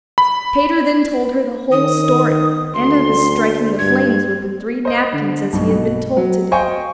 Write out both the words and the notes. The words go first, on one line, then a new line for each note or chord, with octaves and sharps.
Peter then told her the whole story, and of his striking the flames with the three napkins as he had been told to do.
B5
D#3 D#6
D2 C6
G2 G#6
C5 D#5
D3
B1 G2
B2
F#3
C5 D#5 F5 G5 G#5 C#6